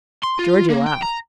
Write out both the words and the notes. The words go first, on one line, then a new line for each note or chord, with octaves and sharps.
Georgie laughed.
C6
F4
A#3
G5
A#5